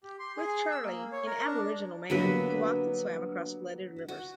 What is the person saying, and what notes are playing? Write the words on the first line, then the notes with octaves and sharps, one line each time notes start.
With Charlie, an Aboriginal man, he walked and swam across flooded rivers.
G4
C6
G#4
E6
A#3
C#5
A#4
D4
D3 F#3 G3 A#3 B3 B4
F#4